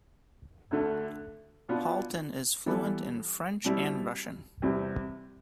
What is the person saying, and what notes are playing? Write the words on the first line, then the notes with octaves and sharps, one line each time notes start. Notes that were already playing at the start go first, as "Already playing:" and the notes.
Halton is fluent in French and Russian.
D2 D3 A3
B2 B3 D4 F4
E3 G3 B3 E4 A4
B2 G3 C4 E4
E2 C3 G3 C4